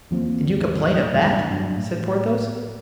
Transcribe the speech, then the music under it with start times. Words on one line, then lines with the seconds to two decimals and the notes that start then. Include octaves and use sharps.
"And you complain of that!" said Porthos.
0.11 E2 F3 A#3 C4
0.48 G#1 D#2 G3
1.13 D1 C#2 G2 E3
1.50 G2 F#3 D4
1.76 A2